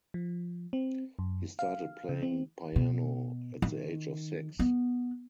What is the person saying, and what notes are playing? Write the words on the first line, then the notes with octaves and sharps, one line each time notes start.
He started playing piano at the age of six.
F3
C4
F#2
F5
C#3
C4
B2
D#3
B3